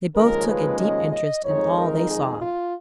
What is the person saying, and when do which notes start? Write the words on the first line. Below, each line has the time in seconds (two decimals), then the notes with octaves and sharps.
They both took a deep interest in all they saw.
0.15 D#2 C#3 F3 G#3 C#4 A#4
0.48 B4
0.80 D#5
1.11 D#5
1.44 F2 D#3 G#3 D#4 C#5
1.76 A#4
2.08 G#4
2.40 F4